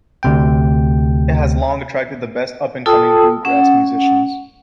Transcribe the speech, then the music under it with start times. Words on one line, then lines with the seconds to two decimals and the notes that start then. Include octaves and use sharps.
It has long attracted the best up-and-coming bluegrass musicians.
0.23 D2 C3 G5
2.86 F4 A4 G5 A5 D#6 E6
3.45 C#4 F#5